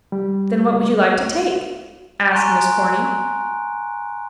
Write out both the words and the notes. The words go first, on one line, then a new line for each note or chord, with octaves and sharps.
"Then what would you like to take?" asked Miss Corny.
G3
G#5 A#5 C6 C#6 F#6 D7